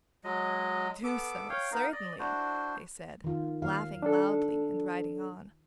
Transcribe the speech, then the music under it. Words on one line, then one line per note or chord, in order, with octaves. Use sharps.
'Do so, certainly!' they said, laughing loudly and riding on.
F#3 G#3 D#5
B3 A4 D6
C#5 F5 G5
B3 D#4 A#4 F5
D5 D#5
D4 E4 F#4 C5
D#3 F4
D#2 F5
D4 A4